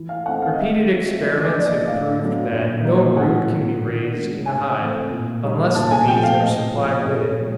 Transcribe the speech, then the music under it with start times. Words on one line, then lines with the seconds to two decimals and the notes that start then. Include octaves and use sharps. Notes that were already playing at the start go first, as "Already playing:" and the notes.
Repeated experiments have proved that no brood can be raised in a hive, unless the bees are supplied with it.
Already playing: E3
0.09 F5
0.26 A3 C4 D#4 F#5
0.42 F5
0.53 D#5
0.58 D#3 E5
0.90 G#3 C4
1.22 F3 D#5
1.38 D#5
1.45 D5
1.55 A#3 D4
1.66 D#5
1.87 A2 F5
2.20 F#3 B3 D4
2.52 A#2
2.84 F#3 A#3 D#4
3.16 A2 F#5
3.49 F#3 B3 D#4
3.82 D#3
4.14 G#3 B3 D4
4.46 A2 G#5
4.78 E3 A3 C4
5.10 A#2
5.43 G3 A#3 D#4
5.75 A#2 A5
5.88 A5
5.91 G#5
6.08 F3 A3 G5
6.23 F5
6.40 A2 D#5
6.73 F3 A#3 C#4
7.05 A#2 A4
7.27 C#5
7.37 F3 G#3 C4